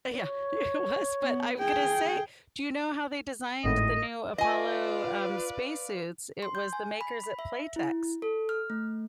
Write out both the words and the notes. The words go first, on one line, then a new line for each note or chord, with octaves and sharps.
Yeah, it was, but I'm going to say, do you know how they designed the new Apollo, um, space suits? It was the makers at Playtex.
C#5
B3
G#4 G5
G#1 A2 D#5
F4 B4 D5 D#5 F5 G#5
C6
G6
G#5
B5
B5
E5
E4
A4
F6
A3